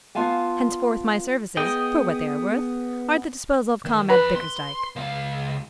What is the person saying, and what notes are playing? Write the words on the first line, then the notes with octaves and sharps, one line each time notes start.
Henceforth my services, for what they are worth, are at the disposal of Comrade Bickersdyke.
B3 F4 F5 G#5 A5
B3 G#4 D#5 G5
D#3
F2 B4 B5
C6
C#2 F5